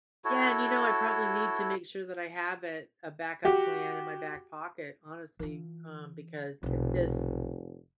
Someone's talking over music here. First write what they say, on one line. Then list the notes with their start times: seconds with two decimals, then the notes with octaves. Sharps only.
Yeah, and, you know, I probably need to make sure that I have it a backup plan in my back pocket, honestly, um, because it is
0.25 E4 F#4 A4 C#5
3.45 F#4 G4
5.39 E3 F4
6.63 F1 B1 D3